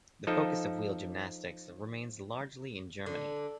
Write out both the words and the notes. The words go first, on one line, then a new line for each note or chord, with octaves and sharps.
The focus of wheel gymnastics remains largely in Germany.
F3 D#4 A4
D3